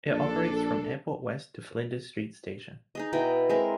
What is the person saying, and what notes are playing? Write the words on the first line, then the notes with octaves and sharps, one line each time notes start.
It operates from Airport West to Flinders Street station.
A#1 D4 A4
D#4 G#4 D#5
B2 E4 D#5 G5
G#3 C4 E4 A#4